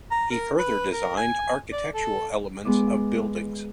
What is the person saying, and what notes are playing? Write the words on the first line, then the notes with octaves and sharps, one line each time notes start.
He further designed architectural elements of buildings.
A#5
A#4
B4
A#4
G#5
D5
A4
G#3 B3 D6